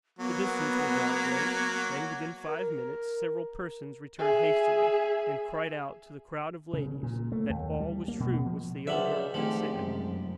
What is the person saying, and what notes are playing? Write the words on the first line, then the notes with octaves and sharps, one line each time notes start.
The distance was not great; and within five minutes several persons returned hastily, and cried out to the crowd of ladies that all was true which the young girl had said.
F#3 A#3 B3
A#4
G#4 E5
C#3
A#2
A3
D#2
G3
A#3
B2
F3
C#2 F#3 G#4 C5 D5 E5
G#2 D#3 F3 A3 C4 G4
F#2 C3 G#3